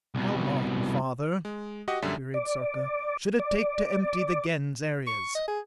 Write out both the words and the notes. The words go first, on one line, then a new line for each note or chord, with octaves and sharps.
"How long, father," queried Sarka, "should it take to empty the Gens areas?"
C2 B2
G#3
F#4 G4 D#5 F#5 D#6
A#1 F#2 D3 G3 E5
D5
D5
C#6
D#5
G#4